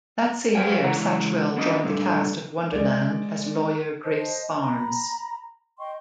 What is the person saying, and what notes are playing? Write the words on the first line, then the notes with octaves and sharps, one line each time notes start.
That same year, Satchwell joined the cast of "Wonderland" as lawyer Grace Barnes.
B4 C5 D#5 F5 G5 G#5
C#2 E3 C#5 F#5 A#5
A#3 B3 C#4 D4 F#4 D#5
G2 A#2 D3
G#3 D5
C5 D#5 A5
A#5 B5
D#5 G5 C6 C#6